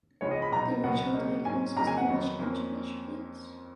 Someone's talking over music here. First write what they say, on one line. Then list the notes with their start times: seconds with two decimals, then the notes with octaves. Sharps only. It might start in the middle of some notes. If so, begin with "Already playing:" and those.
The original diagrams use English Inch measurements.
0.21 C#2 C#3 F3 G#3 B3 C#5
0.31 D#5
0.42 B5
0.52 B2 F#3 B3 D#4 A#5
0.83 C#2 B2 F#3 B3 F#5
1.14 C#3 F#3 A#3 D#4
1.45 G#2 F#3 C#4 G#5
1.77 F2 C#3 F#3 A#3 D#4 A#5
1.87 G#5
1.97 F#5
2.08 F2 D#3 F#3 B3 D#4
2.39 F2 F3 A#3 C#4